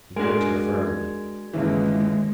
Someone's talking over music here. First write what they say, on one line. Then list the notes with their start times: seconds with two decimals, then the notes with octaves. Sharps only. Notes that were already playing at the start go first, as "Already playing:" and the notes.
He gripped her firmly.
0.16 G#3 D4 F#4 G#4 A#4 G#5
1.53 G1 D#2 C#3 E3 G#3